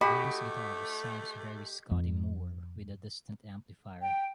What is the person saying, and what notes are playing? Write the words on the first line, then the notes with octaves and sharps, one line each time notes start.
Glenn's guitar sounds very Scotty Moore, with a distant amplifier.
A3 F#4 G4 D#5 B5
F2
G5